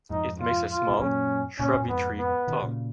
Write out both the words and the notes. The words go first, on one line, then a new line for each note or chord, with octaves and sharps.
It makes a small, shrubby tree tall.
F2 G#2 D#4
F4
F4
B2
F#2 A#2 C#4
A#2 C#3 C#4
F#2 A#2
F2 G#2 B3
B3
B2 D#3
A#2 C#3